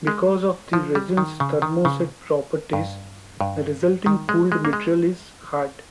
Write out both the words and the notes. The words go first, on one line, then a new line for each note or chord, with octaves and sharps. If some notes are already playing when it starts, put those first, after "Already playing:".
Because of the resin's thermoset properties the resulting cooled material is hard.
G#3
F3
G3
D#3
C#3
D#3
C#3
G2
G2
D#3
G#3
G#3
A#3
G#3